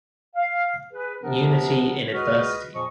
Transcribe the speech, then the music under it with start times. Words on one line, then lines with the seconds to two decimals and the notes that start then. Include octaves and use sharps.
Unity in adversity!
0.35 F5
0.92 G#4 B4
1.22 D2 C3 F3 B3 D4 A#4
2.14 C#2 F#4 G#4 B4 D#5 F6
2.74 E2 A#2 F3 D#5 C#6